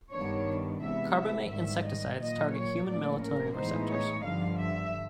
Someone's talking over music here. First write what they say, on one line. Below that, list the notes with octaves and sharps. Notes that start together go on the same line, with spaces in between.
Carbamate insecticides target human melatonin receptors.
G2 D#3 G3 B3 D4 C#5
C3 E3 G#3 B3 E5
E5
G#2 D#3 G3 E5
D#5
A#2 F#3 A#3 D#5
C#5
A2 F3 A#3 C#4 D5
A#4
A2 E3 G#3 B3 D#4 C5
C#5
G2 D3 F3 F5
E5